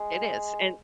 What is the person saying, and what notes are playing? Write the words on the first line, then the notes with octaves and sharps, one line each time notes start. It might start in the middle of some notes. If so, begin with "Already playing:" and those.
It is, and
Already playing: G#3